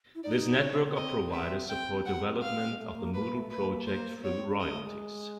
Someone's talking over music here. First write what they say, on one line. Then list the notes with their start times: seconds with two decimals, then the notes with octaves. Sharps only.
This network of providers support development of the Moodle project through royalties.
0.15 E4
0.24 D#4 D5
0.60 C#4 C#5
0.72 C4
0.85 C4
0.96 D#5
1.33 E5
1.69 C4 G5
2.06 C4 F#5
2.42 F5
2.69 G#3
2.78 A3
2.96 A#3
3.14 A#3 B4
3.33 A3
3.50 A#3 B4
3.87 C5
4.18 A#3
4.24 B3 C#5
4.36 C4
4.48 D4
4.60 C#4 D#5
4.72 A3
4.84 G#3